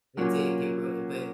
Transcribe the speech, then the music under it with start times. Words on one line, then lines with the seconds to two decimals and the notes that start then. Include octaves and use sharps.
It didn't get real but
0.17 A#2 F#3 A#3 C#4